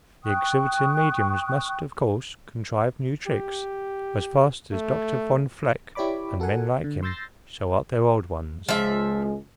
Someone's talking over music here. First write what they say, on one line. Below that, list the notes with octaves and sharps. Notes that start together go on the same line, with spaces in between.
The exhibiting mediums must, of course, contrive new tricks as fast as Dr. Von Vleck and men like him show up their old ones.
G5 C#6 D#6 F#6
G4
A3
E4 G4 C#5 D5 B5 D6
F#4 A4 A#4 F#5 G#5
D3
C6 E6 G6 A6 A#6 C7
C#2 F3 G#3 E5